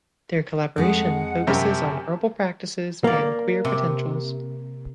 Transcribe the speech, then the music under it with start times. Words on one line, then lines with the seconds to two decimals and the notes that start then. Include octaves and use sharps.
Their collaboration focuses on herbal practices and queer potentials.
0.76 F2 G#3 G#4 F#5
1.47 F#2 C3 G4 G#5 A5
3.04 A#3 D5 F5
3.65 C3